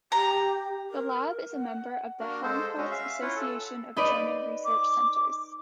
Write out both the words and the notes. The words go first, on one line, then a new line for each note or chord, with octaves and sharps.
The lab is a member of the Helmholtz Association of German Research Centres.
G4 A#5
A#4
F#5
A#3 D4 F#4 A#4
G#3 A4 C5
G#3 C#4 F#4
E5 F5
C#4 E4 F4 F#5
A4
D#4 B4 D5
D6